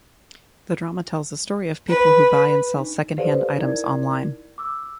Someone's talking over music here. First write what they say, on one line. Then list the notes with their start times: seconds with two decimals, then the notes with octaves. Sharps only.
The drama tells the story of people who buy and sell secondhand items online.
1.88 B4
2.75 D4 D#4
3.18 G4 A4 B4 C5 D5 F5
3.57 D#4 E4 A#4 D5 G#6
4.58 D6 E6